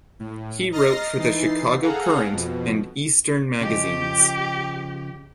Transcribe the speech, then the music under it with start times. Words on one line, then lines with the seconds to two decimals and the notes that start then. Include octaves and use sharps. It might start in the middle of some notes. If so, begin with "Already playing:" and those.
He wrote for the "Chicago Current" and Eastern magazines.
0.20 A2
0.72 D#5 A#5 F6 A6 A#6 C7
1.18 E3 D#4 A6 C7
1.82 G#4 A4 F5 F#5 A#5
2.32 F2 B2
3.61 C#3 F3 G4 D#5